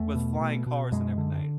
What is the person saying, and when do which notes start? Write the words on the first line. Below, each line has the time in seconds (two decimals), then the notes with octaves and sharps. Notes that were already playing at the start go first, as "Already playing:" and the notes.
with flying cars and everything.
Already playing: E2 A3
0.15 B2
0.41 B2
0.66 B2
0.92 F#2 G#3
1.18 D3